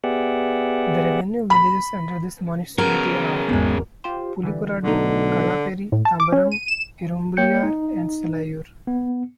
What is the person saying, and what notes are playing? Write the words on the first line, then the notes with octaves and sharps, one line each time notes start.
The revenue villages under this municipality are Pulikoradu, Kadapperi, Tambaram, Irumbliyur, and Selaiyur.
B3 G4 G#4 D5 E5 F#5
B5
C#3 F#3 B3 A#4
G#1 E2 B2 G#3
F4 G4 C5
D3 E3 G3
B1 D3 A3 D#4
A2
A5
D6
C#4
D#7
E7
A#3 C#5 G5 G6 C#7
D#4
B3